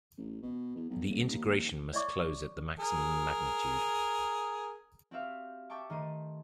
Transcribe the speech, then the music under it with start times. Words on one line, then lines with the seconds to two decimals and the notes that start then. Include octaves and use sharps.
The integration must close at the maximum magnitude.
0.17 A1
0.42 B2
0.76 E2
0.90 B1
1.08 D#1
1.31 D#2
1.93 C#5 D5 E5 C#6 D6
2.79 G#4 A#4
5.11 C4 F#4 G4 B4 E5 F5
5.70 E5 G5 A5 C#6 D6
5.90 D#3 A3 C5 D#7